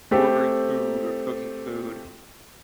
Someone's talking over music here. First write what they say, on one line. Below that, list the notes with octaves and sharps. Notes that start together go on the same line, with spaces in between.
ordering food or cooking food,
A3 C4 G4 A4